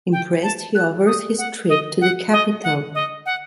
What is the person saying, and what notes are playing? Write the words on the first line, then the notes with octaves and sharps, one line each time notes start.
Impressed, he offers his trip to the capital.
G5
A5
F#6
D#6
F#5
D#5
F#5
D#5
F#5
D#5
F#5